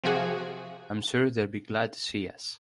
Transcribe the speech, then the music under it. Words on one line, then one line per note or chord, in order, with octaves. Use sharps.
I'm sure they'd be glad to see us.
C3 F3 F#4 G#4